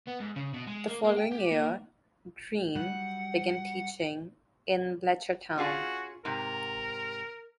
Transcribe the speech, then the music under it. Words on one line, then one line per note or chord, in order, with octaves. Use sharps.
The following year Greene began teaching in Belchertown.
B3
G#2
C#3
B2
G#3
A#3
A#3
G5
G4
A#3
F#3 G3 F#5
C#4 F4 F#4 G#4
G#2 C3 A#4